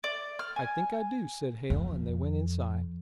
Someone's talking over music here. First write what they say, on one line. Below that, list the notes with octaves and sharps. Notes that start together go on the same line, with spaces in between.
"I think I do," said Hale, and they went inside.
D5
F6
G#5
F2